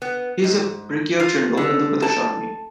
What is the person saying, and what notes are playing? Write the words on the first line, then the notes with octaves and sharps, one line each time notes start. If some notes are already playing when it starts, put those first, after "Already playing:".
He was a Brigadier-General in the British Army.
B3
G#2
F4
D3
A5